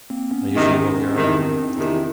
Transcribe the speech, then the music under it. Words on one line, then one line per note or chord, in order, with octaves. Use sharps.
I usually walk here early.
A#3 C4
B3 C#4
E2 C3 D#3
E2 C3 D#3 C4 D4
E2 C3 D#3 D4 E4